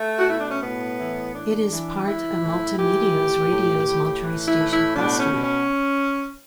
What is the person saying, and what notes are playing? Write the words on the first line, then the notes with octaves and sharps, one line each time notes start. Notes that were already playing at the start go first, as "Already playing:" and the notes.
It is part of Multimedios Radio's Monterrey station cluster.
Already playing: A3
F#4
B2 E4
D4
C#4
A2 B3
E3
E3 D4
E3
E3 E4
A2
E3 G4
A2
A2
A2
E3
E4
A2
E4
B2 D4
C#4
B2
C#4